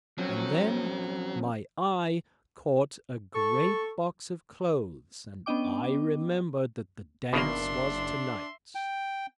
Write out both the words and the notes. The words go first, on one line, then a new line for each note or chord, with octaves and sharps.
And then my eye caught a great box of clothes, and I remembered that the dance was to-night.
F3 F#3 C4 C#4
A4 C#6
B3 C#4 D4 D#5 G5 D6
F#1 B2 D#3 A#3 D4 E5 C6
G5